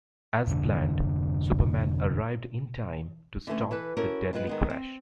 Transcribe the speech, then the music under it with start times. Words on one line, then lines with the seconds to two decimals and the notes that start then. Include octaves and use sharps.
As planned, Superman arrived in time to stop the deadly crash.
0.48 F1 D3
3.47 D3 E3 A3 C#4
3.71 E3 A4 B4
3.97 C#4 E4 F#4 A4 A#4
4.33 G2 F3 G#3 A#4 B4
4.47 D#3 G#3 B3
4.70 C4